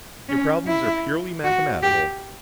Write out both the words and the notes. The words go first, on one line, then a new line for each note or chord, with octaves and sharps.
Your problems are purely mathematical.
C#4
E4
F#4
G4